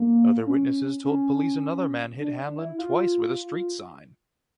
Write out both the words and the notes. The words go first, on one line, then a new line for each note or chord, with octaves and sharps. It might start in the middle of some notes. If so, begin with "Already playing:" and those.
Other witnesses told police another man hit Hamlin twice with a street sign.
Already playing: A#3
C#4
C#4
D4
D4
E4
F4